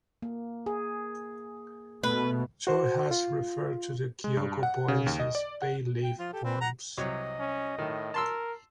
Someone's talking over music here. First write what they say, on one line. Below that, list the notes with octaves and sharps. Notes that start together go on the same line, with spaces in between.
Choi has referred to the Kyoko poems as "bay leaf" poems.
A#3
G#4
B2 A3 B4
F#4 C5
F4
G#3
G2
F#5
C#3
D#2
D#5
D5
F#5
G5
F3 F4
G4 A4
C4 B4
F#5 A#5
C2 F#3 C#5 D#5
C#4
A2 D#3
A#4 A5 C6 E6